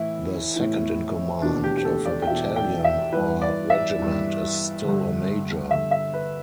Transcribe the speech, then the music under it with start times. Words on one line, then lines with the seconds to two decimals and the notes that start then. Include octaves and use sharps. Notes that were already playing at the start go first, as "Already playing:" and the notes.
The second-in-command of a battalion or regiment is still a major.
Already playing: A2 E3 E4
0.56 A2 E3
1.42 E2 B2 D4
1.64 G4
1.77 G4
1.85 A4
2.05 D5
2.22 G5
2.27 E2 B2 E5
2.56 G5
2.84 E5
3.13 G2 E3 B4
3.42 D5
3.70 E5
3.99 G2 E3
4.85 G2 D3
5.70 G2 D3 E5
5.91 E5
6.14 B4